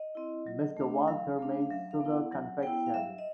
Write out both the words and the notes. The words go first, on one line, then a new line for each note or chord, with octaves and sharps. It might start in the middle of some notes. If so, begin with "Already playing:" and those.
Mr Walther made sugar confections.
Already playing: D#5
C4 E4
F#3
A3 D4
F#3 F5
A3 D4
F5
F#3 E5
F5
B3 E4
F#5
F#3 F#5
B3 E4 G5
F5
F#3 E5
D#5